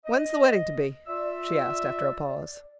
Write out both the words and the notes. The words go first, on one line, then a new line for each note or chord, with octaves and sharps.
"When's the wedding to be?" she asked after a pause.
D#5
F4 D5 E5 E6